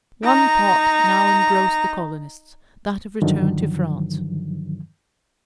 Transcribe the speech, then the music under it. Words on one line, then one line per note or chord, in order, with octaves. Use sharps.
One thought now engrossed the colonists, that of return to France.
D#4 A#5
G2 D3 D#3 F3 F#3